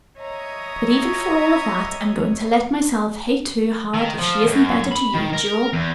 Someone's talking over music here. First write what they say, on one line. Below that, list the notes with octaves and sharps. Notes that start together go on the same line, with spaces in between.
But even for all of that, I'm going to let myself hate her hard if she isn't better to you, Jule.
C#5 D#5 E5 A#5 D#6
D#3
F3
F#2
B5
D#3
A#4
E2